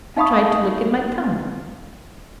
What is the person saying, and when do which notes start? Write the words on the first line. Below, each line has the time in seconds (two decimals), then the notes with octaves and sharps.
I tried to look at my tongue.
0.17 D#4 E5 F5 B5 C#6 D#6